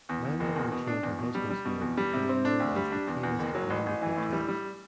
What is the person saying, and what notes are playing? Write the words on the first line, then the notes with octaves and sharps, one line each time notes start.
Mania retained her husband's name, becoming known as the pianist Manya Botez.
E2
E2
F#1
E2
B2
D4
E2
B2
G3
G3
B2
E2
G3
C3
C4
D4
D2
G3
D4
E2
E2
F#1
F#3
A1
A1
E3
A2
G3
G3